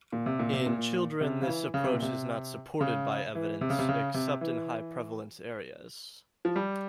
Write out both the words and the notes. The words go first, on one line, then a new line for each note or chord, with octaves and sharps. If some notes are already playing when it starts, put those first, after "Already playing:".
In children, this approach is not supported by evidence, except in high prevalence areas.
A#2
C3
A#2
C3
A#2
C3
C#3
E3
C#3
C3
A#2
C3
C#3
E3
C3
C#3
C3
C#3
C3
E3
F3
G3